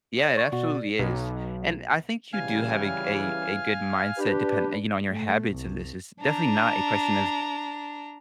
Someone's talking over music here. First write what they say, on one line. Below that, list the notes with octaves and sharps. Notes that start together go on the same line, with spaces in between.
Yeah, it absolutely is, and I think you do have a g a a good mindset depend you know, on your habits this is definitely not a question of
D5
C#6
B2 F#4
B1
C#3 E3 G3 F5 G#5 F6
D4 G4 B4
A3
C2
D4 A#5